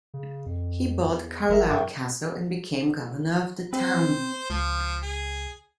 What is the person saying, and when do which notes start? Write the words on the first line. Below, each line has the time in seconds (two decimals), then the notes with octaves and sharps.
He bought Carlisle Castle and became governor of the town.
0.14 C#3
0.46 F2
1.05 E2
1.48 G1 F#3 A#4 E5
1.70 G2 G5 C#6 D6
3.73 C4 C5
4.50 C#2 F3
5.03 G#4